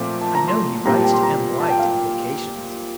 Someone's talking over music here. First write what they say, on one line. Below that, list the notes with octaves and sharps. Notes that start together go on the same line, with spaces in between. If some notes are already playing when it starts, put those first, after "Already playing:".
I know he writes to Em White in vacations.
Already playing: A#2 F3 A3 C4 D6
A5
A#5
C6
A#2 G3 C4 G4 A#5
A5
G5
C6
A#5
A5
G5
F5